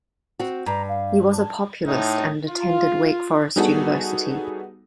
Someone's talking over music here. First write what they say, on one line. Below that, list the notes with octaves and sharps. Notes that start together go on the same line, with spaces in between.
He was a Populist and attended Wake Forest University.
C4 F#4
G2 A#5
F5
A5
A2 D#4
F4
G3 B3 D#4 F#4 G#4 A4